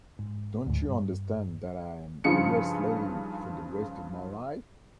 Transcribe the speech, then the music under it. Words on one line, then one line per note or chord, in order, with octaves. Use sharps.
Don’t you understand that I’m your slave for the rest of my life?
G#2
D2 G#2
G2
G2 C#3 F3 D#4 G#4 C#7